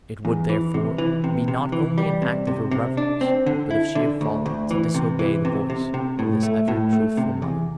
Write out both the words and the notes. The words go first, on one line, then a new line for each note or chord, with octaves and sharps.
It would, therefore, be not only an act of irreverence, but of sheer folly, to disobey the voice of this ever-truthful Mother.
E2
E3
C3
E3
C3
C3
E3
G3
C3
C3
C3
D4
C4
D3
E4
D3
D2
D2
E3
C3
E3
C3
C3
C3
A2
A3
A2
A3
C3
E2